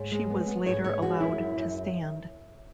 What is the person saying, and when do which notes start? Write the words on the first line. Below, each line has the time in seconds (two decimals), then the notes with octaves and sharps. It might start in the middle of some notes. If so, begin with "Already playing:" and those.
She was later allowed to stand.
Already playing: G#2 C#5
0.12 G#3
0.30 B3
0.48 B3
0.65 G#2 C#5
0.84 B3 C#5
1.02 G#3 F#4
1.20 F#2 E4
1.38 F#2
1.56 F#2